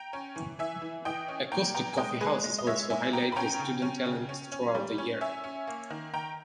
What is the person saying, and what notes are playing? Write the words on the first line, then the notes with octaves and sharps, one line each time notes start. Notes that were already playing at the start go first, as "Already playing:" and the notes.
Acoustic coffeehouses also highlight student talent throughout the year.
Already playing: G5 A#5
C#4
E3
E3 E5 G#5
E3
E3 D#5 G5
C#4
A#2 G5 A#5
B3 G5 A#5
G#5
G#3 D#5 G5
G#3 G#4 B4
G#3
D#5
G#3 C#5 E5
A#2 E5 G#5
B3 G5 A#5
B5
C#4 G5 A#5
C#3
C#4
C#3
C#4
C#4
G3
C#4
C#4 E5 G#5
C#4
A#3
D#3
D#3 G5 A#5